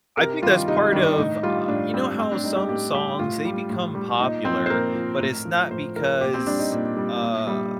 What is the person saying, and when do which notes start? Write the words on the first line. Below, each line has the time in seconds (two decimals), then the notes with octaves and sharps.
I think that's part of uh, you know how some songs, they become popular, but it's not because, uh,
0.17 C3 A#4
0.42 D#3 G3 F4
0.68 C3 D#4
0.93 D#3 G3 D4
1.18 A2 D#4
1.43 G3 F4
1.68 A2 D4
1.94 G3 C4
2.19 A2 C4
2.32 D4
2.44 G3 D#4
2.56 G4
2.69 A2 G4
2.94 G3 G4
3.19 A2 F4
3.45 G3
3.70 A2
3.95 G3
4.20 A#2 D#4
4.45 F3 C4
4.66 C5
4.70 A#2 A#4
4.95 F3
5.21 A2
5.45 F3
5.71 A2 C5
5.96 F3 A#4
6.21 A#2 G4
6.34 C4
6.47 G3 D4
6.59 D#4
6.72 A#2
6.97 G3
7.22 A#2
7.47 G3